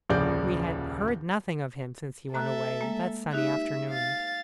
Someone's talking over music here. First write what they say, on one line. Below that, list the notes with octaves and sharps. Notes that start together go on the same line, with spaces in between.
We had heard nothing of him since he went away, that sunny afternoon.
D#1 C2 C#3 F3 D5 G6
A3 A4 E5 A#5 F#6
G#3 A#3
D#4 G4 E5 F#6
F5 A6